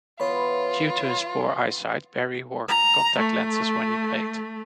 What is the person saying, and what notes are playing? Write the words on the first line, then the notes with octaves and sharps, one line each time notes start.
Due to his poor eyesight, Berry wore contact lenses when he played.
E3 B3 F4 C#5 B5
A#5
A3